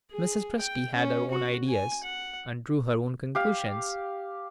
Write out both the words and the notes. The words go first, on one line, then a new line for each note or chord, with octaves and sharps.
Mrs. Presty had her own ideas, and drew her own conclusions.
G#4
G5
C#4
F#4
G#5
F#5
G4 F5